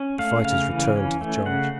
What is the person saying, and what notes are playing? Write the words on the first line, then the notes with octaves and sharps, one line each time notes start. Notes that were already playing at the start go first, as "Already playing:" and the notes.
The fighters returned to the charge.
Already playing: C#4
A3 F5
C#3 F5
E3
C#4
A3
C#3 F#5